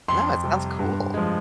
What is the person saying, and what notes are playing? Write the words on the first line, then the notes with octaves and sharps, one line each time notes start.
Nice, sounds cool.
F2 C6
C3 G3
G2
F3 G#3